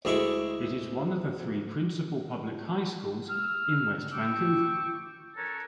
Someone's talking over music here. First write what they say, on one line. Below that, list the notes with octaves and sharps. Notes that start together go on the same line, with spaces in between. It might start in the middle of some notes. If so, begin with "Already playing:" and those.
It is one of the three principal public high schools in West Vancouver.
D2 G#3 E4 C#6 D6
E6 F6
G5 C#6 D6 E6
C#4 D4 A4 A#4 C#5